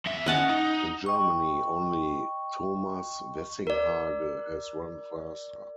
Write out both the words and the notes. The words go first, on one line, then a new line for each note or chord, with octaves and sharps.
In Germany only Thomas Wessinghage has run faster.
E2 E5
C#4 D#5 F#5 A5
D#4
D#5 G5 C#6
A#4 D5